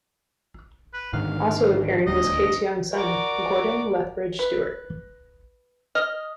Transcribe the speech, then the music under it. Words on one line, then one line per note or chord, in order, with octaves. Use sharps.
Also appearing was Kate's young son, Gordon Lethbridge-Stewart.
B4
G#2 D3 D#3 F5
D#1 D2 G2 D#5
F#4 A#4 D5
B4
D#5 F6